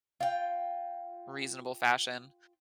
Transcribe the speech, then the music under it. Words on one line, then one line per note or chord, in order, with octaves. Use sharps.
reasonable fashion,
F4 G5